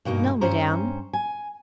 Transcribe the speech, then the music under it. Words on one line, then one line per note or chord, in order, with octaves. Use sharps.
"No, Madame."
G2 B2 A#3 D#4
G2 C#4 C5 A#5
G#5